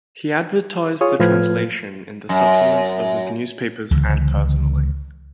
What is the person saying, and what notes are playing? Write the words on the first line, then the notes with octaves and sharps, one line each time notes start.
He advertised the translation in the supplements of his newspapers and personally.
F4 G#4 C#5 D#6
A2 F3 F4 B4 F6 G#6
F#2
C#2 D3 E3